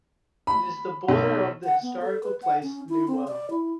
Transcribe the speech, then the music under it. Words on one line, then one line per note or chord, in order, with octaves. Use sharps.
It is the border of the historical place New World.
B5
B1
F#5
B3
A4
B4
F#5
C#4
E4
C4
D5
E4